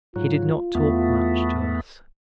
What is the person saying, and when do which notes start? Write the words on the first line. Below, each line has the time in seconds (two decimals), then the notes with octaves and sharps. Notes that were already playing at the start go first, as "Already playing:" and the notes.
He did not talk much to us.
0.16 G#2 F#3 F4
0.75 E2 A3 B3